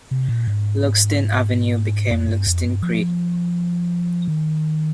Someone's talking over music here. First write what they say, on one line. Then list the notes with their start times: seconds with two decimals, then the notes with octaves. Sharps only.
Lugsdin Avenue became Lugsdin Creek.
0.11 C3
0.29 A#2
0.48 G#2
2.10 F2
2.29 G2
2.47 F2
2.65 G2
2.83 F3
4.28 D#3